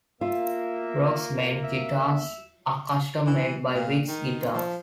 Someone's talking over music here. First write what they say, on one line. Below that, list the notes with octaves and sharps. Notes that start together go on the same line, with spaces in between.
Brock's main guitars are custom made by Wicks Guitars.
A#3 F4 E5
E5
E3
A#2
D#3
F3